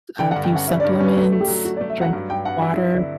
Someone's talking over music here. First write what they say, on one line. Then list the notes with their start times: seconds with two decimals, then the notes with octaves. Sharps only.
a few supplements, drank water,
0.19 D3 G5
0.31 F#5
0.36 G2
0.44 G5
0.52 C#4 F#5
0.68 G3 E5
0.80 D5
0.85 G2
0.92 C#5
1.01 C#4 B4
1.16 A3 B4
1.32 A3
1.41 G4
1.48 F#3
1.65 F#3 F#4
1.77 D5
1.81 A3
1.90 E5
1.98 F#3 F#5
2.13 G2
2.30 G2 G5
2.45 G2 F#5
2.62 E4
2.78 E4
2.94 D3